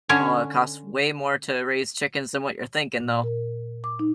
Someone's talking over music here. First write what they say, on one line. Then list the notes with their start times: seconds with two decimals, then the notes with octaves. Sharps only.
Oh, it costs way more to raise chickens than what you're thinking though.
0.09 D3 C#4 C#5
3.00 A#2
3.24 A#4
3.84 D6
3.99 D#4